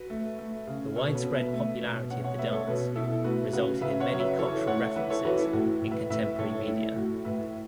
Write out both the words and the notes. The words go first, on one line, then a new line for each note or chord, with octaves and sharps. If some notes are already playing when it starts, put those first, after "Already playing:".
The widespread popularity of the dance resulted in many cultural references in contemporary media.
Already playing: F#4 B4
A3
A3
C#3
B2 A4 C#5
F#4 B4
B2
B4 E5
A3
B2
B2 C#5 F#5
C#5 F#5
A3 B4 E5
A4 C#5
B2 F#4 B4
B2 E4 A4
A3 F#4 B4
C#3 F#4 B4
C#3 B4 E5
C#5 F#5
F#3
B4 E5
E3 A4 C#5
A3 C#5 F#5
E3 B4 E5
A4 C#5
E3 F#4 B4
E4 A4
A2 F#4
A2
B4 E5
A2 B4 E5
A2 A4 C#5
A3 E4 A4
A2 F#4
A2 B4 E5